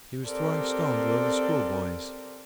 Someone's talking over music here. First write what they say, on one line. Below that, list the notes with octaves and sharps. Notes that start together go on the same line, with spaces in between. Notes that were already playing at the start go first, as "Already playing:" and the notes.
He was throwing stones with other schoolboys.
C4 G4 A4 A#4 C5 D5